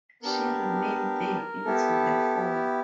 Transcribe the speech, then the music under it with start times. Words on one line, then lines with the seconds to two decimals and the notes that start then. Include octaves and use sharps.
She remained there into the fall.
0.23 B3 D4 G4 A#4
1.65 B3 E4 G4 A4